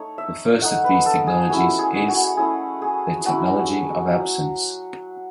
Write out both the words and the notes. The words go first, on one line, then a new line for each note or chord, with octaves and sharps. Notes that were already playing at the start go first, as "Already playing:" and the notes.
The first of these technologies is... the technology of absence.
Already playing: A3 D#4 C#5
E5
A3 D#4 F#5
B4
A4
G#4
A3 C#4 E4 F#4
G#4
F#4
A3 C#4 E4 G#4
G#4
F#3 C#4 E4 F#4
F#3